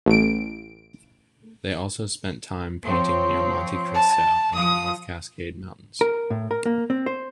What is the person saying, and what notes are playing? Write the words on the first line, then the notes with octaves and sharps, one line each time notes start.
They also spent time painting near Monte Cristo in the North Cascade mountains.
A1 D7
F3 C4 C#5
A5
F3 D#6
A#4
A2
A#4
A#3
C4
C5